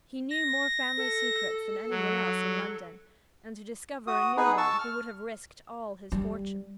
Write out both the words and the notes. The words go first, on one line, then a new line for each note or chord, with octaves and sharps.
He knew more family secrets than any one else in London, and to discover a new one he would have risked all his fortune.
A#6
A4
F#3
F#4 D#6
B3 D#4 G#4 B4
A5 C#6 E6
F6
G3